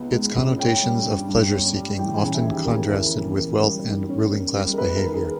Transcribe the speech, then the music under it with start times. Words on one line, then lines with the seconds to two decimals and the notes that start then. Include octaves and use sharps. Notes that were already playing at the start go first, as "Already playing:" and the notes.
Its connotations of pleasure-seeking often contrasted with wealth and ruling class behavior.
Already playing: C#2 B3
0.12 G#3
0.36 C#3
0.58 C#4 G5
0.83 G3
1.05 G2
1.29 G2
1.52 C#4
1.76 G3
1.99 E3 G5
2.17 G#5
2.22 C#3
2.34 E5
2.45 D#2
2.51 G4
2.65 A#4
2.68 A#3 G#4
2.92 E3
3.16 C#3
3.39 A#3
3.61 G3
3.85 G#2
4.09 C#4
4.31 A#3
4.55 G3
4.73 A#4
4.78 A#3 B4
4.96 A#4
5.02 D#3
5.13 G#4